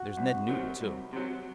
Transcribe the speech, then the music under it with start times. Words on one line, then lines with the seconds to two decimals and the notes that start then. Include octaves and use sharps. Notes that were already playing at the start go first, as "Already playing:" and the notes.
There's Ned Newton, too.
Already playing: F#4
0.17 C2
0.48 C3 D#3 F#3
0.81 C2
1.13 C3 D#3 F#3